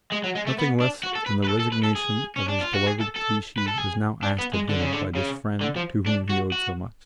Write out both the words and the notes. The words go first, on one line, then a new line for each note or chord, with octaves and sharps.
Nothing less than the resignation of his beloved Clichy was now asked of him by this friend to whom he owed so much.
G#3
F#3
G#3
A3
B3
D4
F#4
A4
B4
B4
A4
A4
B4
A4
G#4
C#4
D4
F4
F#4
G#4
A4
A4
B4
A4
G#4
D4
B3
G#3
D3
C#3
D3
C#3
D3
F3
D4
F#4
F#4